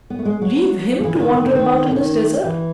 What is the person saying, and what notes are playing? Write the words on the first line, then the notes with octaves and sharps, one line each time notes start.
Leave him to wander about in this desert!
B3
A3
G#3
F#3
F3
E3
D3
D#3
D#3
D3
D#3
D3
D#3
E3